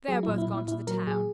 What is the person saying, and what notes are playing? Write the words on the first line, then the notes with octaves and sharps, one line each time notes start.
They're both gone to the town.
F#3 G#4
E4
A#2
E4
A#2
E4
A#2 E4
F#3 A#4
A#2 G#4